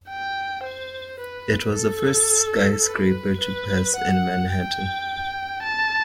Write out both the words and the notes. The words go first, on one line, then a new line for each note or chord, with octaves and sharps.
It was the first skyscraper to pass in Manhattan.
G5
C5
B4
A4
B4
B4
F#5
G5
A5